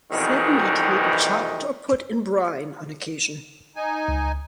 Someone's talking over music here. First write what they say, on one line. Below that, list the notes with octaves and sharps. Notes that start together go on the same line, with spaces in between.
Said meat may be chopped or put in brine on occasion.
C2 F2 B2 D#3 E3 D#4
D#4 G#5
C#2